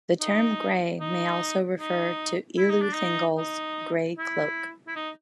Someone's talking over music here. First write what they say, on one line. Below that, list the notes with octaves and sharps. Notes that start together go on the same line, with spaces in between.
The term "grey" may also refer to Elu Thingol's grey cloak.
D#4
D#4
D#4
E4
D#4
D4
D#4
D#4
E4
E4
D#4